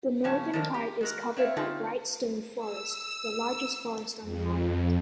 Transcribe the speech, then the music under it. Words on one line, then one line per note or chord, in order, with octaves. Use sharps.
The Northern part is covered by Brighstone Forest the largest forest on the Island.
G2 C#3 F3 C#4 C#5 A5
D#3 F3 F#3 A3 D4 A#4
G4
G#3 F#4 A#4
C4 C#5 E5 F5
D3 C4 C#4 D#4 F4
E6
F2